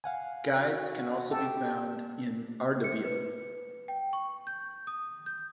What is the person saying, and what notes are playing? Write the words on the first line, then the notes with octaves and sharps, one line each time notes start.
Guides can also be found in Ardabil.
F5 F#5 G#5
F#4
G4 A4
C#7
B4
G5
C#6
G6
D#6
G6